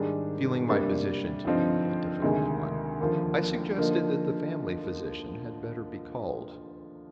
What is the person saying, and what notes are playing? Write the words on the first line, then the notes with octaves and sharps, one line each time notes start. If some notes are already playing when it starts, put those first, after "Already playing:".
Feeling my position to be a difficult one, I suggested that the family physician had better be called.
Already playing: G#2 D#3 G3 D4 G#4
C3 G3 A#3 D4
G2 D3 F3 C4 D#4
D2 C3 D#3 G#3
D#2 D3 F3 A#3
D3 F3 A#3 D#4